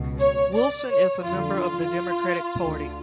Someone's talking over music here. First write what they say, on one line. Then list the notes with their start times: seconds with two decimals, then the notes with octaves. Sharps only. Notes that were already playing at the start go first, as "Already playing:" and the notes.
Wilson is a member of the Democratic Party.
Already playing: C#2 B2
0.20 C#5
0.55 D5
0.89 C#5
1.24 F2 D3 F4
2.62 D2 D3